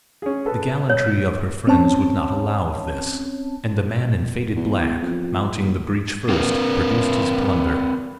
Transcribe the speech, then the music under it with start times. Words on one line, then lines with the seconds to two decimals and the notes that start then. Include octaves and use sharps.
But the gallantry of her friends would not allow of this; and the man in faded black, mounting the breach first, produced his plunder.
0.22 C#4 G#4
0.46 A4 B4
0.90 C#5
1.67 C4 C#4 C#5 A5
4.56 E2
5.03 F2
5.55 D#2
6.29 C4 A#4 B4